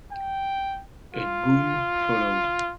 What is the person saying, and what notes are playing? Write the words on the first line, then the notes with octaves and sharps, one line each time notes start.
A boom followed.
G5
F4